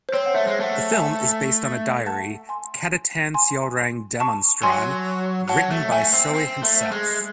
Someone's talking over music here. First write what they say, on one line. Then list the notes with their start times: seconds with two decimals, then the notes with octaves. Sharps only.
The film is based on a diary "Catatan Seorang Demonstran" written by Soe himself.
0.09 C5
0.14 C4 C#5
0.26 F#5
0.35 A3 E5
0.47 G#3
0.60 A3 F#5
0.92 E5 G#5
2.06 F#5 A5
2.49 G#5 C6
3.34 G#5 C6
4.20 A5 C#6
4.63 F#3 G#5 C6
5.49 F#3 F#5 A5
5.70 A3
5.92 A3 E5 G#5
6.13 C4
6.34 C4
6.63 A3
6.91 G#3